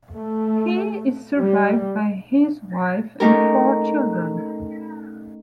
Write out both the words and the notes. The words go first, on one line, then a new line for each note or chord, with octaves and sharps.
He is survived by his wife and four children.
A3
G3
A3 C#4 D#4 G4 A#4